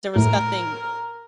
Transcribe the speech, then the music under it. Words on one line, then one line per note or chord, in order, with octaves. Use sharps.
there was nothing,
A2 A#4